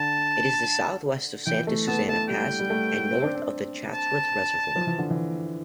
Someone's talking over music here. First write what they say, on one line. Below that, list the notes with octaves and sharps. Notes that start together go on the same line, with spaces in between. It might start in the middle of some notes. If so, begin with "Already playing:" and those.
It is southwest of Santa Susana Pass and north of the Chatsworth Reservoir.
Already playing: D3 A5
E3 G5
A3
B3 A5
A3 A5
G3 G5
G3
A3
C4
D4
C4
A5
F3
E3
D3
E3